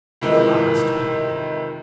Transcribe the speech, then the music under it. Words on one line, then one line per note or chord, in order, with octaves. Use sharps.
Her eyes twinkled.
F2 C3 D#3 E3 G#3